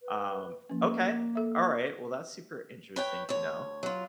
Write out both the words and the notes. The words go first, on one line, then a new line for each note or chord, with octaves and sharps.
Um, okay, alright. Well, that's super interesting to know.
B4
F3 A#3 C#4
A4 E5
B4 C#5 G5
D2 C#5
F#3 F4